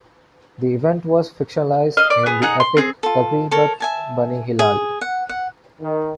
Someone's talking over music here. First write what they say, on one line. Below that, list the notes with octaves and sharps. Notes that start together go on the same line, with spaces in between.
The event was fictionalized in the epic "Taghribat Bani Hilal".
D#5 F5
D5
B3 G#4
D#4 G#4 F#5
C6
C4 G#4
F4 A4
A4 A#4 C#5
E5 G#5 A5
G#4
F#5
F#5
D#3